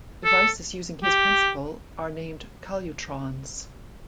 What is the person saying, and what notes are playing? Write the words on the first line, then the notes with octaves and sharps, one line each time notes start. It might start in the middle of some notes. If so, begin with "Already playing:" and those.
Devices using his principle are named calutrons.
A4
G4